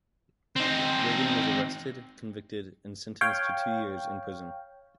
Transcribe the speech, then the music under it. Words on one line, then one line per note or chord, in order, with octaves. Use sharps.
Regan was arrested, convicted, and sentenced to two years in prison.
C4 D#4
C#5 F5 G5